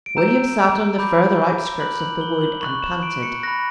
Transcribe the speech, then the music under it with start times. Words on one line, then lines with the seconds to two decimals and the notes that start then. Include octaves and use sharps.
William sat on the further outskirts of the wood and panted.
0.06 D7
0.17 A#5 E6 G6 E7
0.99 B5 D6 G6
1.80 B5 F#6 F#7
2.00 F#7
2.21 G7
2.41 F#7
2.62 C#6 F#6 F#7
2.83 E7
3.03 D7
3.23 C#7
3.43 F#6 A#6
3.48 B5